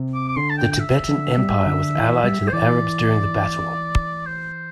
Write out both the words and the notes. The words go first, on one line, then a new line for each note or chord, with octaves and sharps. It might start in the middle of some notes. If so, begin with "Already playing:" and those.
The Tibetan Empire was allied to the Arabs during the battle.
Already playing: C3
D6
D6
D3 C6
A5
G5
G5
E5
D3
G3
D3
E3
G3
G3
C5
E3 D5
C5